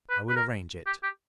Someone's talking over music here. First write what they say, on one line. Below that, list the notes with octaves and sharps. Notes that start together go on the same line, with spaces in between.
'I will arrange it.
B4
B4
A#4
G4
G4